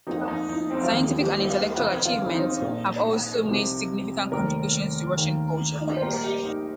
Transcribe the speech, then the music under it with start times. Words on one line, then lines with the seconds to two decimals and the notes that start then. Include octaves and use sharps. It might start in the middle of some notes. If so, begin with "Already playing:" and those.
Scientific and intellectual achievements have also made significant contributions to Russian culture.
0.07 F2 F3 A#3 D#4
0.28 D#4
0.49 D#4
0.70 C4
0.83 F4
0.91 D#2 D#3 A#3 D#4
1.20 G4
1.49 F4
1.77 F2 C3 F3 F4
2.05 F4
2.26 C4
2.34 D#4
2.61 A#1 A#2 F3 A#3
3.46 C2 C3 F3
4.32 F1 D#2 D#3 A#4
5.17 D#2 D#3 A#3
5.97 C5
6.02 A#1 A#2 G3 A#4
6.13 A#4
6.24 G4
6.45 D#4